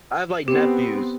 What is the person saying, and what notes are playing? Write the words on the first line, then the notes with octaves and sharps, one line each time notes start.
I have, like, nephews.
B3 C4 G4